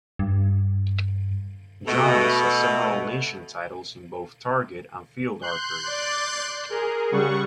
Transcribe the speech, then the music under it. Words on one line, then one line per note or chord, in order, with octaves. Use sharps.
Jonas has several nation titles in both target and field archery.
G2
B2 A3
C6 F#6 G6
D5
G#4 A#4
C#3 G3 F#5 C#6